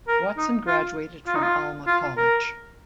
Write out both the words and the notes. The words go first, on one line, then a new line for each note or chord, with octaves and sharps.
Watson graduated from Alma College.
A#4
D#4
F4
F4
D#4
F4
F4
A#4